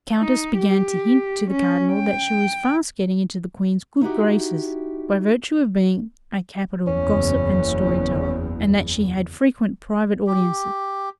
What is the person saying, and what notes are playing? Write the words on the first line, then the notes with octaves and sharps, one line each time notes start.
The countess began to hint to the cardinal that she was fast getting into the Queen's good graces, by virtue of being a capital gossip and story-teller; and that she had frequent private audiences.
D#4
G4
C#4
G5
D#4 E4 F#4 G4
F#1 E2 C#4
G4